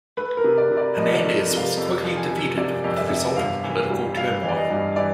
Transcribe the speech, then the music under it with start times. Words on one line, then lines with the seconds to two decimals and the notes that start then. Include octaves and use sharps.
Hernandez was quickly defeated, with resultant political turmoil.
0.17 A3 B4
0.37 A#4
0.44 C3
0.58 D5
0.71 C3
0.77 D5
0.97 F3 D#5
1.17 D5
1.24 A3
1.51 C3
1.57 F5
1.77 F2
2.04 F3
2.17 G#5
2.31 C3
2.57 C3 D5
2.84 F2
2.97 E5
3.10 C3
3.37 G1 F5
3.64 E3
3.90 G3
4.17 G3 F5
4.43 E3
4.48 D5
4.57 D#5
4.70 G2
4.96 E3 D5